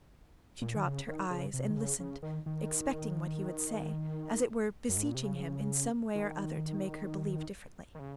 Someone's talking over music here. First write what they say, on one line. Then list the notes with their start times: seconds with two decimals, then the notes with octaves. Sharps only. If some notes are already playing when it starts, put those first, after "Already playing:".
She dropped her eyes and listened, expecting what he would say, as it were beseeching him in some way or other to make her believe differently.
0.62 A#2
0.76 D#3
0.84 C#3
1.08 D#3
1.31 C#3
1.54 C3
1.70 D#3
1.77 C#3
2.00 C#3
2.23 D#3
2.46 D#3
4.89 F#2
4.97 G#2
5.05 A#2
5.15 C3
5.23 C#3
6.15 D#3
7.95 D#3
7.99 C#3